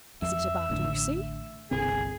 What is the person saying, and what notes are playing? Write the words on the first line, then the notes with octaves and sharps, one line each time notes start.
"Is it about Lucy?"
F2 E5
A1 A2 D3
G1 C2 C4 G#4